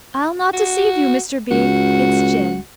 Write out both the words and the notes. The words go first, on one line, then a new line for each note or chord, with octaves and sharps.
I'll not deceive you, Mr. B. It's gin.'
F#4
C#2 F#4